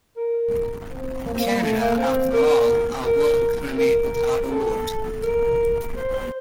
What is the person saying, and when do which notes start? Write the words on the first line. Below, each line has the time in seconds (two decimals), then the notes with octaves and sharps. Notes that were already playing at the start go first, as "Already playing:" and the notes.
Canada, after all our work remained without a vote.
0.17 A#4
0.89 C4
1.25 A#3
1.33 C4
1.39 A#3
1.62 A3
1.80 A#3
1.98 C4
2.33 A#4
3.06 A#4
3.78 A#4
4.14 A#4
4.51 A4
5.23 A#4
5.96 C5
6.14 C5